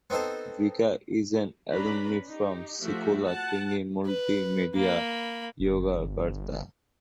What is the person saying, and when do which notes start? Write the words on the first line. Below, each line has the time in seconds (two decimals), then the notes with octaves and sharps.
Vika is an alumni from Sekolah Tinggi Multi Media Yogyakarta.
0.10 B3 C4 D#4 A4 C5
1.70 C#4 D4 B4 A#5 B5
2.28 D#4 G4
2.80 F3 A3 F#4 G4 E5
3.25 F#5 A5
4.06 B4
4.75 A#3 B5
5.60 G1